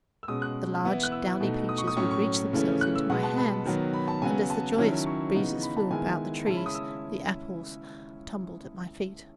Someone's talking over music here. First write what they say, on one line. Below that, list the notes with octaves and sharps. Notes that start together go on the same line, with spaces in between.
The large, downy peaches would reach themselves into my hand, and as the joyous breezes flew about the trees the apples tumbled at my feet.
E6
B2 G#3 C#4 D#6
F#6
E3 B3 E4
F#6
E6
B2 A3 D#4
D#6
C#6
D#6
A2 F#3 A3 C#4 C#6
C#6
C#3 E3 A3 C#4
F#6
E6
B2 G#3 B3 F#5
A5
B5
D#3 F#3 B3
B5
A5
C#3 F#3 B3 G#5
A5
D#3 F#3 C#4 E4
C#6
C#3 E3 B3 D#4
B5
A5
D#3 G#3 B3 E4 G#5
C#3 G#3 C#4 E4 A5
B5
D#6
E6